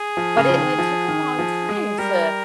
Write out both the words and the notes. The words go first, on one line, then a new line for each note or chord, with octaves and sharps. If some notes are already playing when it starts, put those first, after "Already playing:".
but it and it took a long time to,
Already playing: G#4
F3
C#3
F3
D#3
F3
D#3
F3
G#3
G3 A#4